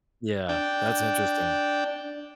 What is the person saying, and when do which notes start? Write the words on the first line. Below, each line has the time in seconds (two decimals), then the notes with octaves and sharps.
Yeah, that's interesting.
0.49 D4 G5